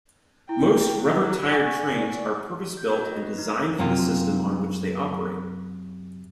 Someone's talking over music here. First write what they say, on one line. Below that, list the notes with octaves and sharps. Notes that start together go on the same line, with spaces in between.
Most rubber-tyred trains are purpose-built and designed for the system on which they operate.
E4 G5
F#3
D5 F#5 G#5 C#6
G6
F#4
D#5
B4
D#4
F#2 C3 A#3 C#4 F4